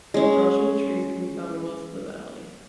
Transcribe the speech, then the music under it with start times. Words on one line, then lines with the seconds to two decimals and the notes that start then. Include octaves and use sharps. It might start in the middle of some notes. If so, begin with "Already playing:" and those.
Joshua Trees can be found in most of the valley.
0.14 G#3 C#4